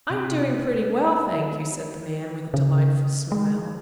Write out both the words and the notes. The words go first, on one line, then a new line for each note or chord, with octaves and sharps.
"I'm doing pretty well, thank you," said the man, with a delightful smile.
C3
C#3
G#3